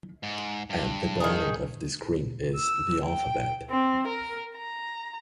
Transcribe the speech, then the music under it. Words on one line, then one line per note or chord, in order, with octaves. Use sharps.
At the bottom of the screen is the alphabet.
G#2
G2
D#3 G#4
E6
G5
C4
A#4
A#5